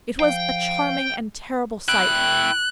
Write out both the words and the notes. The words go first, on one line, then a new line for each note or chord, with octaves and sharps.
It was a charming and terrible sight.
F3 F5 G5
E4 G5 F#6